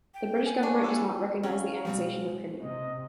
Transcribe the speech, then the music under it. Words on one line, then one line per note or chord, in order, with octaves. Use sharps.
The British government does not recognise the annexation of Crimea.
G5
G#5
D4 C#6
G2 A4
C4 C#4 F5
B2 F3 G3 G#3 C4
C3 D#5